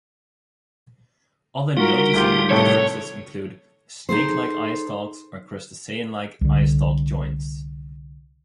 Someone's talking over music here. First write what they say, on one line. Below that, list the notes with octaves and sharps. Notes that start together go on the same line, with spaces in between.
Other noticeable differences include snakelike eyestalks or crustacean like eyestalk joints.
G3 D#4 F4 F#4 A#4
D2 F4 G4
A2 C3 D#3 A4 C#5
D#4 G#4 A4 C5
C2 D3